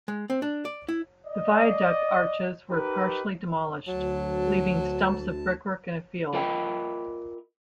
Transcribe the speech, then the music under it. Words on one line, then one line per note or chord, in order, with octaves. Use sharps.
The viaduct arches were partially demolished, leaving stumps of brickwork in a field.
G#3
C4
D4
D5
E4
D5 D#5
D#4 G4 A#4 B4
D2 F#3 A5
F4 A#4 D#5 E5 G5 B5